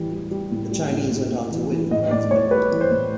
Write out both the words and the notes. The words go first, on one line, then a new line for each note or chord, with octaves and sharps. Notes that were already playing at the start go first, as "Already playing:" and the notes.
The Chinese went on to win the bronze medal.
Already playing: A2 E3 G3
G3
G3
A2
G3
A2
A2
A2
E3
E3
A2 D#5
A2 D5
A2 C#5
G3 B4
E3
C5
A2